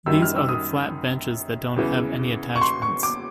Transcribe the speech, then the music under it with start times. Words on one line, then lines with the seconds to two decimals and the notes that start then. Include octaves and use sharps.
These are the flat benches that don't have any attachments.
0.06 F#2 D#3 G3 E6
0.22 F6
0.36 E6
0.49 D#6
1.76 E2 C#3 E3
2.56 C#6
2.61 C6
2.82 C#6
3.03 D6